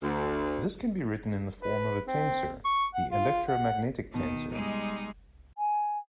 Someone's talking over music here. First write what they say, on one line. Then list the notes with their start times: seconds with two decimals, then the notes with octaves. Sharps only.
This can be written in the form of a tensor-the electromagnetic tensor.
0.03 D2
1.63 B4
2.08 C4
2.65 C#6
2.94 F#5
3.11 F4
3.48 F#5
4.14 B2 D#3
4.51 G3 G#3 D#4
5.58 G#5